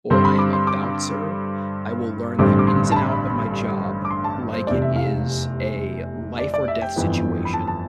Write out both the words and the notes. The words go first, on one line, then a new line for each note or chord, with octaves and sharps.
or I am a bouncer, I will learn the ins and out of my job, like it is a life-or-death situation,
G2 D3 G3 C4 C5
B5
D6
C6
D6
A1 G2 D3 G3 C4 D6
D6
C6
A5
B5
D6
C6
A5
C5
F1 E2 C3 D5
E5
F5
D5
D5
E5
G5
G1 F2 E3 B3
B5
A5
A5